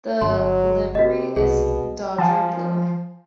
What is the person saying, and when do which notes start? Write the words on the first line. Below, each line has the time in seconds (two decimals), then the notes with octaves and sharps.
The livery is dodger blue.
0.22 G1 F#3 C6
0.95 C3 F#4 D#5
1.36 C2 B2 G#4
2.18 F3 F5 G#5 A5